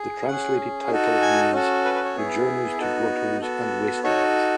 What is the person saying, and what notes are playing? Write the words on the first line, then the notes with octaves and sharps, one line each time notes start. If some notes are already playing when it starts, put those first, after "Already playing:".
The translated title means "The Journeys to Grottoes and Wastelands".
Already playing: G#4
C#4 G#4 F#5
D#4 F#4 A4
G#5
C#4 F#4 A4
B4
B4
C#5
B3 E4 G#4
B3 D#4 F#4 A4
B3 F#4 A4
D#4 F#4 A4 C#5